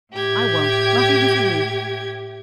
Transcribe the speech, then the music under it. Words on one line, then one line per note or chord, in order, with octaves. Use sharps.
I won't, not even for you.
A2 G4 G#6